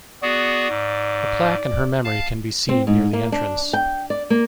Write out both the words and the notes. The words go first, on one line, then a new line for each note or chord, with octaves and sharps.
A plaque in her memory can be seen near the entrance.
B3 F#4 G#4 D5
G#2
F5 A5
C4
G#2
A#3
D4
G5
D5
A#3